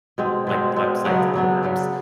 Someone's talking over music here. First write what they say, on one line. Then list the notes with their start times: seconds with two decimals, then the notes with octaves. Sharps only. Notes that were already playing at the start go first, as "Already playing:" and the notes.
like, websites and br apps.
0.18 B2 G#3 C4
0.47 B2 G#3 C4
0.76 B2 G#3 C4
1.05 C#3 F#3 B3 D4
1.34 C#3 F#3 B3 D4
1.63 C#3 F#3 B3 D4